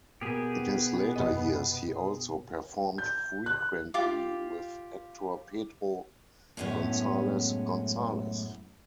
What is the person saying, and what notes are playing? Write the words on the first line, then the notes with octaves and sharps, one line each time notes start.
In his later years he also performed frequently with actor Pedro Gonzalez-Gonzalez.
B2 A#3 B3 G4 G#4
F#2 C3 D#5
G6
F#6
F4 G4 F5 D6
F#2 A2 G#3 B3 C#4